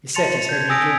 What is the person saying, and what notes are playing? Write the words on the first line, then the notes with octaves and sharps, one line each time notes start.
He set his heavy jaw.
A5 C6 A6 C#7 F7
G6 G#6
G#5 D#6 E6 A#6 B6 D7